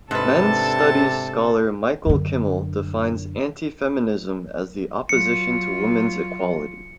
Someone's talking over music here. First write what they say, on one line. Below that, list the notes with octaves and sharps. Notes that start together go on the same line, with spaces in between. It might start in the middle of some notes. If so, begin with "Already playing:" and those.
Men's studies scholar Michael Kimmel defines antifeminism as the opposition to women's equality.
G#2 C3 D4 A4 B4 A5
F#2 D3
F#3 F4 C#7